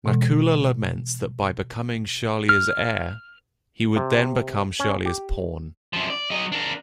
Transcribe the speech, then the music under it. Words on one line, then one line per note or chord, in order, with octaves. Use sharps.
Nakula laments that by becoming Shalya's heir, he would then become Shalya's pawn.
B2 E3 G#3
F6
C3
C#4
G4
F#2 F3
D5
F#3 D#5
D4 A#4